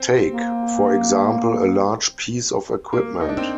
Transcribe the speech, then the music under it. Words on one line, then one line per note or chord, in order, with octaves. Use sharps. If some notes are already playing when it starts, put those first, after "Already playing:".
Take, for example, a large piece of equipment.
Already playing: C4
A#3
A#3
D#4
D4
C4